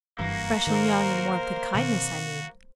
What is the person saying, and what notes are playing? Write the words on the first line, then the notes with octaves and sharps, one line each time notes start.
'Fresh and young in warmth and kindness, I mean.
F#1 G2 E3 A#3 F#4
G#2 D#3 A#4 C5
B2 D#3 C4 F#4